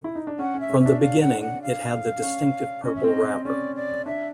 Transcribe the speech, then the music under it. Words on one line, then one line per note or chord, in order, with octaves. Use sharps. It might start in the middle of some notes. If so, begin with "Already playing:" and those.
From the beginning, it had the distinctive purple wrapper.
E4
D#4
D4
C#4 F#5
C#4
E5
C#4
E5
D4
F5
F#5
F#5
F5
C#4
C#4 D#5
E5
C4 D#5
C#4 D5
D5
D4 E5